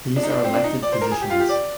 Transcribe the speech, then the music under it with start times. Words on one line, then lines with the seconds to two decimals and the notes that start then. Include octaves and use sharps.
These are elected positions.
0.16 D4
0.23 D#4
0.30 D4
0.44 C4
0.54 D4
0.64 D#4
0.82 D5
0.92 C5
1.01 A#4
1.11 G#4
1.21 G4
1.30 F4
1.40 G4
1.49 D5